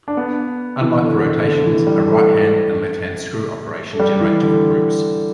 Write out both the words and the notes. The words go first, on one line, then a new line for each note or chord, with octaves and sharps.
Unlike for rotations, a righthand and lefthand screw operation generate different groups.
D4
B3
E3
D3
D3
E3
G3
A3
A3
G3
E3
D3